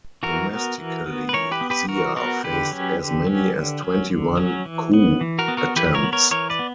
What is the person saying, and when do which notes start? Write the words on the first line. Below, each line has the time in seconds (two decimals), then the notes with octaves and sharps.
Domestically, Zia faced as many as twenty-one coup attempts.
0.23 E3 F#4 A#4
0.50 B3
0.78 E3
1.06 B3
1.29 B4
1.33 E3 A#4 C#5
1.51 G4 B4
1.61 B3
1.70 G4 B4
1.88 E3 F#4 A#4
2.16 B3 F#4 A#4
2.44 D3 G4 B4
2.71 F#3 C#4
2.99 D3
3.27 F#3 C#4
3.54 D3
3.82 F#3 C#4
4.10 D3
4.37 F#3 C#4
4.65 E3
4.93 B3
5.21 E3
5.39 F#4 A#4
5.48 B3
5.57 F#4 A#4
5.76 E3 G4 B4
5.94 A#4 C#5
6.03 B3
6.13 A#4 C#5
6.31 E3 A#4 C#5
6.50 B4 D5
6.59 B3